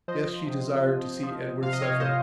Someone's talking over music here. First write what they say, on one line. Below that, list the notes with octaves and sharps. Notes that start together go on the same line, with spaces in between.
Yes, she desired to see Edward suffer.
F3 C5 D#5
C3
F3
F3
C3 F5
D#5
C#5 F5
C3 C5 D#5